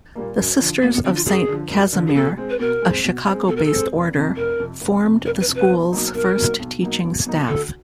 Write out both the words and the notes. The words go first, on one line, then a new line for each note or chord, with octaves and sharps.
The Sisters of Saint Casimir, a Chicago-based Order, formed the school's first teaching staff.
A#2 G3 A#3
F#2
D3 F3
F#2 A#3
B3
D3 F3 C4
F4
F#2 G#4
D3 F3
F#2
D3 F3
G#4
B2 A4
G#3 C4
B4
B2 A#4
G#3 C4
B2
G#3 C4
B2 A4
A#4
A4
G#3 C4
F1
F2 C3
F1 A#4
F2 C3
F1
F2 C3
F1 A#4
B4
F2 C3
B4
B1
B2 F#3 A#3 D#4
B1 A#4
B2 F#3 A#3 D#4
B1
B2 F#3 A#3 D#4
B1
B2 F#3 A#3 D#4
D2 A4